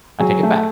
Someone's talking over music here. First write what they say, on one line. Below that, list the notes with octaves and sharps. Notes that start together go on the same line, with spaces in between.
I take it back."
F#3 G#4
A3